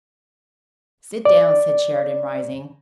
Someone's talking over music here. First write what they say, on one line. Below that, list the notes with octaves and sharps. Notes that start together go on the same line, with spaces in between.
"Sit down," said Sheridan, rising.
D5